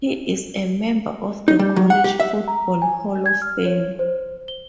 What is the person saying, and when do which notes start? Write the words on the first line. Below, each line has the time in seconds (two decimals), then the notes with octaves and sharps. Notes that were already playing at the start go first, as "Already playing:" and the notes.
He is a member of the College Football Hall of Fame.
1.48 D#4
1.59 G3
1.76 F#3
1.90 F#5
2.04 G4
2.20 E5
2.48 A#5
2.82 G#5
3.26 G#6
3.42 F6
3.65 C#5
3.99 C5
4.48 G7